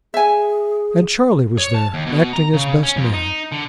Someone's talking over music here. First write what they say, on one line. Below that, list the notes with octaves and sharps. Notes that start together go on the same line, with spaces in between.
And Charley was there, acting as best man.
G#4 E5 G#5
C#5
A5
D#2
B2
A#5
C#3
C#4
F2
D#4
D3